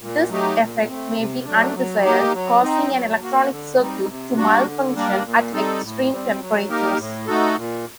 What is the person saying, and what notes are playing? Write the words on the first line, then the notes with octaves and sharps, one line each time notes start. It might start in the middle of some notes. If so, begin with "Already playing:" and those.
This effect may be undesired, causing an electronic circuit to malfunction at extreme temperatures.
A#2
F#3 A3 D#4 G4
A#2
A3 C4
C3
F#3 A3 D4
F#3
A#3 D#4 G4
F#3
C4 D#4
F#3
A#3 F#4
D3
G3 C4 D#4
C3
G3 A#3 D4 F#4
D3
G3 A#3 D4
A#2
G3 C4 D#4 A4
A2
G3 C4
F#3
A#3 D#4 G4 A#4
A2
A3 D#4 F#4 A4
A#2